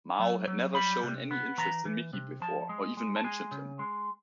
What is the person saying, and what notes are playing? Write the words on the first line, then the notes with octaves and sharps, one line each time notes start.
Mao had never shown any interest in Miki before, or even mentioned him.
F#3
F#3
G3 B5
C3
B3
E3 A#5
E3
C3
F3 A5
G#3
G#3
A5
G#3 G#5
C#3
G#3